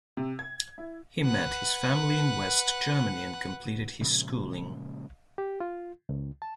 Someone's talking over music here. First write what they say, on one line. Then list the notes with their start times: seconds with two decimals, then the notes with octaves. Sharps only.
He met his family in West Germany and completed his schooling.
0.17 C3
0.39 G#6
0.78 E4
1.25 B4 F#5
4.01 A#2 C#3 F3 G#3
5.38 G4
5.60 F4
6.09 C#2
6.42 A5